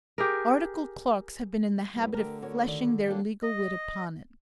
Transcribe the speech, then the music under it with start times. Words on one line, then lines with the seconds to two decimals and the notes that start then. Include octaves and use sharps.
Articled clerks have been in the habit of fleshing their legal wit upon it.
0.18 G4 G#4 A#4
1.96 E2 A2 G3 B3
2.14 D3 A3 G4 A#4
2.42 F#4 A#4 C#5
2.67 D#3 D5
3.07 F#3 G3 A#3 D4 A4 G5
3.43 D#5